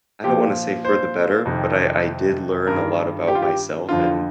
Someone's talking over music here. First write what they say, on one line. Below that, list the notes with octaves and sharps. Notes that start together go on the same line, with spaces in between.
I don't want to say for the better, but I I did learn a lot about myself and
A#2 F3 G4
C5
F2 C3 D#3
G2 D#3 A#4
G4
F4
G4
F2 D3 F3 F4